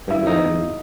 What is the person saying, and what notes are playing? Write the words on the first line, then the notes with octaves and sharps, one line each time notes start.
And then
E4
D#4